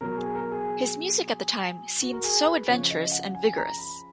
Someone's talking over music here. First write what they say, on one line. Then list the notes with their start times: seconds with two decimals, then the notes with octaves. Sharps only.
His music at the time seemed so adventurous and vigorous.
0.01 B2 F#3 A#4
0.17 G#4
0.35 A#4
0.51 G#4
2.02 F#4
2.13 A#4
2.24 G#4
2.46 B4
2.67 C#3 F3 C#5
2.90 D#5
3.12 F#5
3.35 G#5
3.57 A#5
3.78 B5